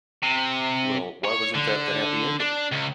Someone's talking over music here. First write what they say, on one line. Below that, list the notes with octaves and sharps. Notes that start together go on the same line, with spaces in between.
Well, why wasn't that the happy ending?
C3
C#5
D3
D4
C#2